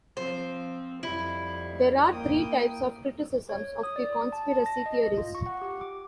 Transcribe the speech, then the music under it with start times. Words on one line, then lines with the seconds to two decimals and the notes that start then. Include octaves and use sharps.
There are three types of criticisms of the conspiracy theories.
0.17 F3 C4 C5
1.03 F2 G3 E4
2.11 A#3 G5 D#6
3.49 C#5
3.83 D#6
3.96 D5
4.32 A5
4.66 A#6
4.86 D#5
5.17 F4
5.35 C#6
5.46 F#5
5.62 G4
5.81 D6